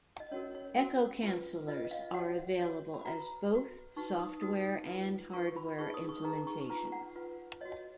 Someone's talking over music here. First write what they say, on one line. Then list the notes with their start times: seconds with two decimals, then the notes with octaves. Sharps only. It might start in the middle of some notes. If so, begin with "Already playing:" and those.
Echo cancelers are available as both software and hardware implementations.
0.20 D#5
0.31 C#4 F#4 A#4 C#5
0.55 C#5
0.77 C#4 F#4 A#4
1.23 F4 B4
1.68 F4 B4 D#5
1.85 D#5
1.91 F5
2.14 F#4 C#5 F#5
2.60 F#4 C#5
2.94 B5
3.05 F#4 B4 A#5
3.51 F#4 B4
3.96 D#4 F#4 B4 C#6
4.19 D#6
4.42 D#4 F#4 B4 D#6
4.87 F4 B4
5.33 F4 B4 C#6
5.56 B5
5.79 D#4 G#4 B4 C#6
5.94 D#6
6.09 C#6
6.24 D#4 G#4 B4 A#5
6.47 C#6
6.69 F4 B4 A#5
6.92 F#5
7.15 F4 B4
7.61 F#4 C#5 D#5